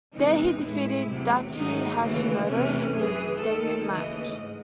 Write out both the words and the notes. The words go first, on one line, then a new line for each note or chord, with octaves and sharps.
There he defeated Daichi Hashimoto in his debut match.
E2 C3 E3 G#3 D#4
A2 G#3 E4
E2 C3 F#3 A3
G#2 D#3 F#3 A3 D#4
D#2 C#3 E3 A3 F#4
E2 C3 E3 A3 C#4
F#2 E3 A3 G#4
D#2 D#3 A3 A4
D#2 C#3 E3 A3 D#5
G#2